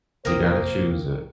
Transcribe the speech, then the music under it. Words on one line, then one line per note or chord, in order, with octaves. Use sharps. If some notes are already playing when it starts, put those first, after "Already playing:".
You gotta choose it.
A#1 F#2 C3 A#3 A#4 C5 G5 D#6